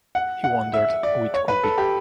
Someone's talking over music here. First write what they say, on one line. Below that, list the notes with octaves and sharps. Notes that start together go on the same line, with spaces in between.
He wondered who it could be.
F#5
F#5
E5
D5
C#5
B4
A4
G4